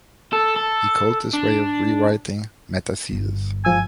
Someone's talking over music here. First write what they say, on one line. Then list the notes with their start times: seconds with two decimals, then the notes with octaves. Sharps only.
He called this way of re-writing "metathesis".
0.33 A4
0.56 A4
1.33 D4
3.11 G1 G2
3.65 G#2 F3 G#5 E6